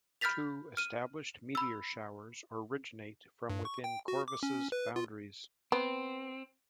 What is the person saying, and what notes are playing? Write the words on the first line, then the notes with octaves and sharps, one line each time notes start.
Two established meteor showers originate from within Corvus' boundaries.
B5 F6 G6 A6 B6 F7
F6 D#7
B5 E6
G2
C#6
G5
F#4
D6
C#4
B4
F4
B3 C4